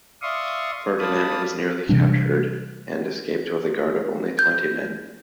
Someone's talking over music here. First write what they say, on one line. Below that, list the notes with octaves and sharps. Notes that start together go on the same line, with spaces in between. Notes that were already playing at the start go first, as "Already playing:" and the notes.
Ferdinand was nearly captured and escaped with a guard of only twenty men.
D5 E5 F5 C6 C#6 D#6
D5 F5 A5 B5 D#6
C3 E3 G3 D4
G6